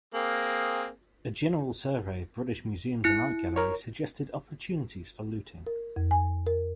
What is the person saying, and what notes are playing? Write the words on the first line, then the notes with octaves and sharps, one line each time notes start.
A general survey of British museums and art galleries suggested opportunities for looting.
A#3 C4 G#4
E4 F#6 C#7
A#4 C#5
A#4
F2
G#5
A#4